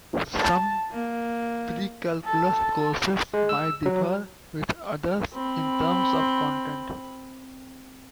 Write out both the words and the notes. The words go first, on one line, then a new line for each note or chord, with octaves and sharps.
Some precalculus courses might differ with others in terms of content.
A5
A#3
A4
G#3
E6
F#3
C4 B5